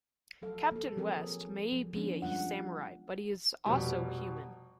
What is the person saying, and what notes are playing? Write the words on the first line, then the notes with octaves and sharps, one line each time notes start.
Captain West may be a Samurai, but he is also human.
F3 F#3 A4 F5
A#3 A4
F3 F#3 C4 G#4 A#4
F3 F#3
F3 B3 C#4 D4
G3 G#3 C#4 F4 F#5
F1 B2 G3